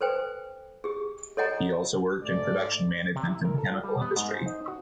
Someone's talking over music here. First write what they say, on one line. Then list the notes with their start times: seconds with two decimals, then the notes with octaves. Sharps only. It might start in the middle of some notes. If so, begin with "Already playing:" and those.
He also worked in production management in the chemical industry.
0.01 A4 B4 C5 G5 G#5
0.84 G4 G#4
1.37 A4 C#5 D#5 F#5 G#5 A#5
2.23 G#2 A3 D5
3.16 C3
3.28 E4
3.45 A#4
3.58 A4
3.72 F4
3.84 G3
4.01 B3
4.16 G#2
4.31 C5
4.46 D#4
4.68 F#4